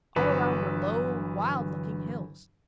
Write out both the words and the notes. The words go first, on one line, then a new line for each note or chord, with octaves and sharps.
All around were low, wild-looking hills.
G1 D3 E3 F#3 B4